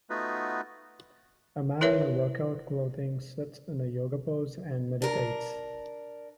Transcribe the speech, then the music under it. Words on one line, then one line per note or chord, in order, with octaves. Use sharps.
A man in a workout clothing sits in a yoga pose and meditates.
A3 B3 D#4 F4 F#4 B4
E4 A#4 B4 C#5 E5
D4 A#4